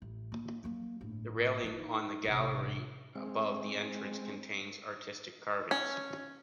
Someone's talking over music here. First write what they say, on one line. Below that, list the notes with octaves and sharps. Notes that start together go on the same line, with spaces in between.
The railing on the gallery above the entrance contains artistic carvings.
A1
A#3
F#3 A#3
G1 A2
D#4 E4
A1 C3
G#3 C4
C#4